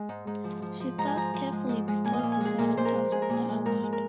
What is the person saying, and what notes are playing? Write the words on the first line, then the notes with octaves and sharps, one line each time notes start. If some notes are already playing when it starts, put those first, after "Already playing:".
She thought carefully before deciding to accept the award.
Already playing: G#3 D#5 G#5
G#2
G#2
F3
F3
F3
G#2 A#5
G#5
F3 A#5
F3
G#3
G#2
G#3
A#2 G#5
D#5
A#2 F5
G#5
G#3 G#4
A#2 A#4
A#2 C5
A#4
G#3
G#3 G#4
A#4
A#2 G#4
G#3
G#2 A#4
G#3
A#4